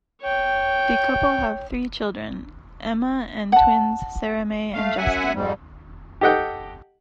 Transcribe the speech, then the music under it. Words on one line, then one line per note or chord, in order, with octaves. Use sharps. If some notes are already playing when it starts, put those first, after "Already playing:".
The couple have three children, Emma and twins SaraMai and Justin.
C#5 G5
F#5 A5
A3 F5
F#2 E5 F#5 G#5
F2 G#2 G3
G4 A4 D#5 F#5 G5